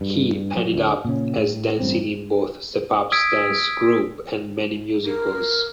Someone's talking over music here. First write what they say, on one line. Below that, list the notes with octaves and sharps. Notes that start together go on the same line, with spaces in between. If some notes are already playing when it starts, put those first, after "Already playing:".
He ended up as dancing in both Stepup’s dance group and many musicals.
G2
F#3
D2 A3
A#2 C#3 C#4
A2
A1 G2 C4
D#6 E6 G#6 B6 D7
A#4